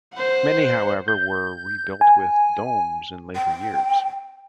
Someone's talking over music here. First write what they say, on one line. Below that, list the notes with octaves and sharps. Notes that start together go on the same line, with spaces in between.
Many, however, were rebuilt with domes in later years.
C5 F#5
G6
G#5
G5